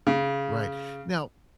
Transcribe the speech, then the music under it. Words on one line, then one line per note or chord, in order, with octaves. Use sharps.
Right. Now
C#3